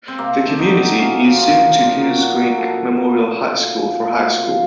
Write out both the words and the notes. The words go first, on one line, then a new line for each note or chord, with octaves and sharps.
The community is zoned to Goose Creek Memorial High School for high school.
C4
C3 A#3
A3
F#3 D#4
F#3
C3 C#4
F3
F3 F4
C3
A#2 F4
F#3
A#2 F#4
A#2
F3 A4
C3
F3 A#4
A4
A3
F#4
F3
A#2
A#2
A#2
A3 F#4
F4
C3
F4